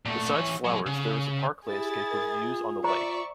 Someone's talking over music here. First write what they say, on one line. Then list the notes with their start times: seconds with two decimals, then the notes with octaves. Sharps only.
Beside flowers there is a park landscape with views on the lake.
0.05 A#2 A3
0.33 E3 C#5
0.64 F#3 G#3
0.86 C#3
1.68 E4 G4 G#4 A6
2.10 A#4
2.42 F4
2.84 C5 D5 E5 A#5 C#6